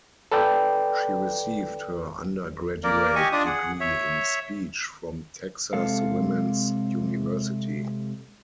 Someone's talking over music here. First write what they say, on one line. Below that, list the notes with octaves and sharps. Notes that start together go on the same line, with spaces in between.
She received her undergraduate degree in speech from Texas Woman's University.
A4 B4 D5 G5
A#3 A#4 D5
G4 D#5 G#5 C#6
D4 F4 D5 D#6
G#4 F#5
C#5 E5
C3 G#3 A4 F5